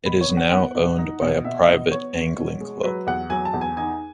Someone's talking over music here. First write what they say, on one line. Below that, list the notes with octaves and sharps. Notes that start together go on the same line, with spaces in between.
It is now owned by a private angling club.
B2 B5
C#5
B3
F#5
B3 F#5
B2
D#4
B2
B2 E5
B2 D#5
B3 C#5
B3
B2
G#3
F#3 B4
E2 F#5
F#3 G#5
A5
E2
G#5
D#4 G#5